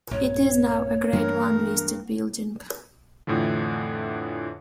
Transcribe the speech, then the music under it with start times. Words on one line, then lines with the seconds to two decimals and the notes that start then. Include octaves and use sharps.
It is now a Grade One listed building.
0.11 A#1 G2 C#5
1.13 G2 E3 A#3 B3 A#4
3.27 F2 A2 D3 E3 F3